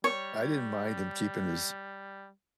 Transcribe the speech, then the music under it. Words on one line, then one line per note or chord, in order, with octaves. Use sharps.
I didn't mind him keeping his
G3 C#5